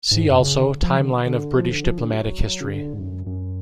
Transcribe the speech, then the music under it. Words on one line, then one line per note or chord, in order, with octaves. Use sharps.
See also Timeline of British diplomatic history.
G#2
F#2
C#3
D3
F3
D3
D3
F3
D3
F3
D3
F#3
C#3
D3
G#2
F#2
F#2